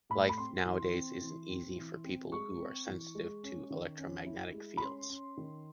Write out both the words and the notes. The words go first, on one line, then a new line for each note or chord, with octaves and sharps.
Life nowadays isn’t easy for people who are sensitive to electromagnetic fields.
A2 B5
B5
C4 C6
E3
C4
E3
C4
E3
C4
G#3 C#6
C4
E3
G#3
C#4
D#3
C#4
E4
G#3
B5
C#4 C6
C#4
D#3